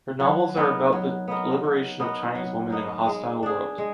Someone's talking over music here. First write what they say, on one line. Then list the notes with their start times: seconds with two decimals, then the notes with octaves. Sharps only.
Her novels are about the liberation of Chinese women in a hostile world.
0.20 F#3
0.57 B3 D#4 A#4
0.93 F#3
1.28 B3 D#4 A#4
1.63 F#3
1.99 B3 D#4 A#4
2.35 F#3
2.70 B3 D#4 A#4
3.07 G#3
3.43 D4 G#4
3.78 G#3